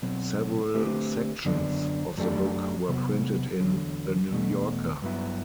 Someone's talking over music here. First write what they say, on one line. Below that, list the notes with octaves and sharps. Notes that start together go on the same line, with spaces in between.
Several sections of the book were printed in "The New Yorker".
B2 F#3 C4
D3 A3 C4 G4 B4
F#2 D3 F#3 B3 D4
F#2 F#3 A3 D4 G4
C3 F#3 B3
E2 D3 F#3
E2 B2 A3
G2 F#3 B3 E4